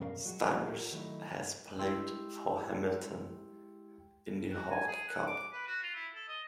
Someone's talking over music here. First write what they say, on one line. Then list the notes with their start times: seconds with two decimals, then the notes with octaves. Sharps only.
Styris has played for Hamilton in the Hawke Cup.
0.01 F#2 B2 C#4 A#4 D5 F5
0.25 F#3 G#3 F#4
0.48 C#2 F3 G#3 B3 G4
0.67 F4 G4 A#4 F#5
0.92 D#3 F#3 A3 D#4 E4
1.79 G#3 E4 G4 G5 C6 E6
4.51 F#4
4.70 G#5
4.88 G#4
5.08 F#5
5.27 D6
5.53 B4
5.67 F#4
5.83 F4
5.95 E4
6.15 A4
6.28 D#5